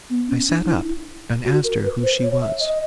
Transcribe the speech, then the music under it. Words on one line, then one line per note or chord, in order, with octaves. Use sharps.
I sat up, and asked her who she was?
B3
C#4
D4
D#4
E4
F#4
A#4
B4
C5
C#5
E5
D#5